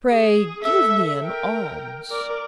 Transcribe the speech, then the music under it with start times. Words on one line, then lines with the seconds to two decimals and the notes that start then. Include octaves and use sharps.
Pray give me an alms.'
0.11 G#4
0.63 A4 E5
1.23 A#4 G5
2.10 A#4 D5